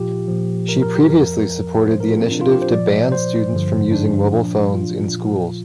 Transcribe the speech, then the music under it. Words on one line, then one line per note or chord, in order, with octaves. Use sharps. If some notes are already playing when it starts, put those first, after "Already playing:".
She previously supported the initiative to ban students from using mobile phones in schools.
Already playing: A#2 F3 F4 G4
A#2 F3
A#4
A#4
G4
F2 F3 A#4
A#2 F3 C5
A#4
F4
C4
D4
F4
G4
C5
A#2 F3 D5
C5
G2 D3 F3
D4
A#2 F3
F4
A#2 F3